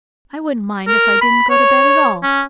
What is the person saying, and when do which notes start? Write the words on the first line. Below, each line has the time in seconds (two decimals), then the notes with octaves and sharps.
"I wouldn't mind if I didn't go to bed at all."
0.87 A#4
1.21 B5
1.50 C#5
2.23 C#4